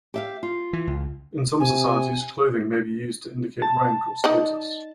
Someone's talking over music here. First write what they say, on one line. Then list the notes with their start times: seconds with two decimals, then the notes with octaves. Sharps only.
In some societies, clothing may be used to indicate rank or status.
0.14 G4 E5 F5
0.43 F4
0.73 E3
0.87 C#2
1.60 C3 G#5
3.62 A5
4.24 D#4 D5 D#5